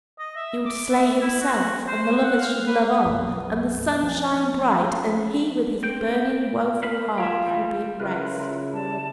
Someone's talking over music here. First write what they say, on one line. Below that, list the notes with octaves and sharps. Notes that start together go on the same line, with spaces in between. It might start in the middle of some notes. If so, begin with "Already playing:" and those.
He would slay himself, and the lovers should love on, and the sun shine bright, and he with his burning, woeful heart would be at rest.
D#5
E5
D6
E5
E4
F#4
C5
F#5
F5
B4
B1 F#2
F3 C#4
C4 G5
F5 B5
F4 G4 C#5 E5
D2 E3 G3
C#3 E4 F4 A#4 B4
G3 A5